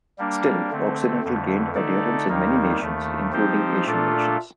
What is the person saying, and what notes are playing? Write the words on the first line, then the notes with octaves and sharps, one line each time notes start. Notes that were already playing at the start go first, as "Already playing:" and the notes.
Still, Occidental gained adherents in many nations including Asian nations.
G3 A#3 D4
D3 A3 C4
F2 D3 A3
D3 A3 D#4 A4 D5
D#2 D#3 G3 A#3 D#4
D#2 D#3 A3
F3 C4 D#4 G4 C5
A#2 A3 D4 F4 A4